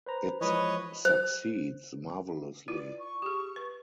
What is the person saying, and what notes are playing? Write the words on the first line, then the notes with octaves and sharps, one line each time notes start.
It succeeds marvelously.
B4 C5 A#5
E3 F3 G#3 B4 C#5 D#5
C5
E4 F4 B4 D5
C#6
G4 G#4
B4